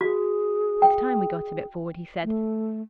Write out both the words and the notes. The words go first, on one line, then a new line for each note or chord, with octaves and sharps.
"It's time we got a bit forward," he said.
F#4 G#4
G5
A3